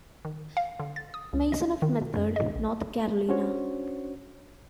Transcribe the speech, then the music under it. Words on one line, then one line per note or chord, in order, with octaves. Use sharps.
Mason of Method, North Carolina.
D#3
F5
D3
A6
D#6
C#2
D#5
D#3
B2
F#2
D#5
A#1
C#4 D4 F#4 C5 C#5